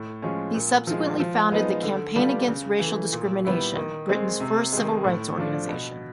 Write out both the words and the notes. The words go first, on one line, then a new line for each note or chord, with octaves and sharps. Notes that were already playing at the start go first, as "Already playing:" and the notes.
He subsequently founded the Campaign Against Racial Discrimination, Britain's first civil rights organization.
Already playing: A2
F3 G#3 C#4
A#2
F3 G#3
F3
G#3 B3 D#4
D3
G3 B3 D4 F4
C#3
E3 A3
A#2
G3 B3 E4
D#3
G#3 C4
C3
D#3 G#3
A2
F3 A3 D4
B2